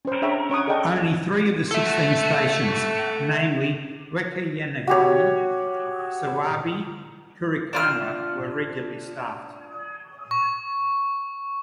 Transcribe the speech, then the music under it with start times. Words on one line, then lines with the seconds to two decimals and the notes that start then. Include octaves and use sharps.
Only three of the sixteen stations, namely Wakayanagi, Sawabe, Kurikoma were regularly staffed.
0.05 C#4 C5
0.22 D4 G#4 C#5 E5 G5 C#6
0.50 C#4 C#5 C#6 D#6
0.67 G#4 A4 D5 D#5 G5 A5
1.71 A4 E5
4.87 F#4 G4 C#5
7.73 D4 F4 F6
10.31 C#6